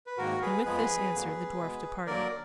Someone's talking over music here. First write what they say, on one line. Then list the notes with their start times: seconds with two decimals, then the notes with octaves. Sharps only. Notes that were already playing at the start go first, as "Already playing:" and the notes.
And with this answer the dwarf departed.
0.07 B4
0.18 G#2 D#3 A#3 F#4 A#4
0.41 G#4 B4
0.65 F2 F3 G#3 B3 G#4 B4
1.12 F2 D3 F#3 A#3
1.59 B2 G#3 B3
2.07 D3 F#3 A#3 A#4 D5